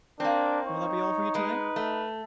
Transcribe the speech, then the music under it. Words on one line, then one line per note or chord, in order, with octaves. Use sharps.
Will that be all for you today?
A#3 C4 D4 A#4
D#4 C#5
G#3 B4
A3